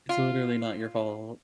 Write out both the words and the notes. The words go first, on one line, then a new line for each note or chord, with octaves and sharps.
It's literally not your fault.
F4